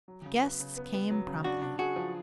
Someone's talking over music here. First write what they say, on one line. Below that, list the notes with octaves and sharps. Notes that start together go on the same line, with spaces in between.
The guests came promptly.
F#3
C#3
B3
C#3
B3
B3
F#3
C#3
D4 F#4
D4
F#4 G#4
F3